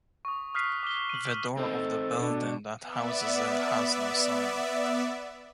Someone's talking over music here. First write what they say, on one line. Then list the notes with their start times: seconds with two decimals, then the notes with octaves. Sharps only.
The door of the building that houses it has no sign.
0.25 C#6 D#6
0.55 D#6 F6 F#6 B6 C7 D#7
0.83 D6 F6 G7
1.10 D#7 F#7
1.57 C4 D#4 A4
1.73 A4
2.19 B2 D4
2.83 B3 D5 E5